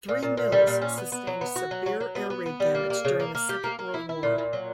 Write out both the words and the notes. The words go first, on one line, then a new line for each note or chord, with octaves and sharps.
Three Mills sustained severe air-raid damage during the Second World War.
A#2
A#2
A#2
G3
A#2
C#4
B3
B3
F#3
B3
F#4
F#3
F#3
F#3
B3
B3
B3
G3
A#3
A#3
C#3
A#3
A#3
G4
A#3
A#3
E4
E4
A#2
A#2
F#3